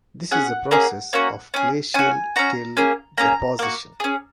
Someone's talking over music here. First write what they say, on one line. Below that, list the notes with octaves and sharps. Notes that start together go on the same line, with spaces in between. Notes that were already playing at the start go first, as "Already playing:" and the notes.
This is the process of glacial till deposition.
C#4 G#4 F#5
A#3 C#4 G#4
A#3 C#4 F#4
C#4 G#4
C#4 F#4 G#5
C#4 F#4 A#5
A#3 C#4 G#4
A#3 C#4 G#4 A#5
A#3 F#4
C#4 G#4